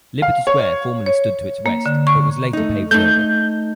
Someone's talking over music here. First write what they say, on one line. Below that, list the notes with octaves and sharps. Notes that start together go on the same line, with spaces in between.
Liberty Square formerly stood to its west but was later paved over.
F5
C#5
C#5
A#3
D3
C#6
A3 D#4
A3 D#4 G6